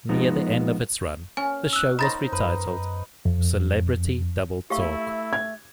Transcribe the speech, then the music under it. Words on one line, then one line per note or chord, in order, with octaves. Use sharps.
Near the end of its run, the show was retitled "Celebrity Double Talk".
F3 G#3 B3 D#4
C#4 G#5
E6 F#6
D#4 C5 B5 A6 A#6
F#2 B4
F2
A3 E4 G4 F5 C#6
G#6